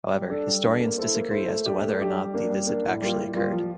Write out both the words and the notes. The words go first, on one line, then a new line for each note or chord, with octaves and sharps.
However, historians disagree as to whether or not the visit actually occurred.
G3
D4 A4
G3
D4 A4
A#3
E4 A4 C5
A#3
E4 A4 C5
A3
D4 G4 D5
A3
D4 G4 D5
G3
A#3 D4
G3
A#3 D4
A2
G3 A#3 F4
A2
G3 A#3 F4
F3